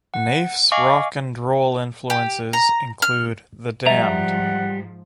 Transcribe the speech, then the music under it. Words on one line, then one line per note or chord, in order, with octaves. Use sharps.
Naiff's rock and roll influences include The Damned.
F#5
D#5 F5 G#5 C#6 D6
G4
A#5
F6
G#2 F3 G3 E5 F#5 A#5